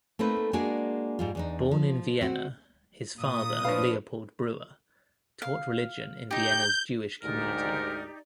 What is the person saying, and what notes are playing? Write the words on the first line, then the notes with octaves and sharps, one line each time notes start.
Born in Vienna, his father, Leopold Breuer, taught religion in Vienna's Jewish community.
A3 A#3 C4 D#4 B4
G#3 A#3 D4 F#4 G#4 D5
G#2 G3 F4
E2 D4 D#4
F3
C4 F#4
A#2 D#6
F3 D4 B4 C#5 F5
F5
D#4 G4 G6
D2 G#2 D#4 G4 A#4 D5